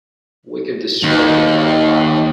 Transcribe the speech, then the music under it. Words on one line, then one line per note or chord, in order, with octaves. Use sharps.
We can destroy them by fire.
D#2